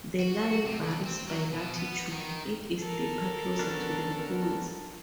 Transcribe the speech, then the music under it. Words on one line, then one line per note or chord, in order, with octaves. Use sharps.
The line varies by latitude, it is deeper closer to the poles.
F#4
C3
D2
C4
F#3
B2
B3
D#3
A4 A#4
B3 C#4 D4